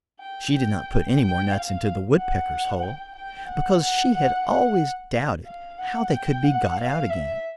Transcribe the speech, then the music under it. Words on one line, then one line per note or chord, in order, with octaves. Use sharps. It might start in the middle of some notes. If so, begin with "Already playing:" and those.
She did not put any more nuts into the woodpecker's hole, because she had always doubted how they could be got out again.
G5
G5
G5
F5
F#5
G5
G5
F#5
F#5
F#5
F#5
F5
F#5
G5
F#5
F5
E5